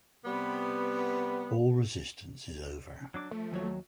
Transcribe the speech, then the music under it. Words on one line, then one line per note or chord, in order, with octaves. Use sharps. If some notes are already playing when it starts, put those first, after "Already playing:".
All resistance is over.
C3 G3 B3
F#3 D4 D6
F3 A3
D#2 F#3 C#5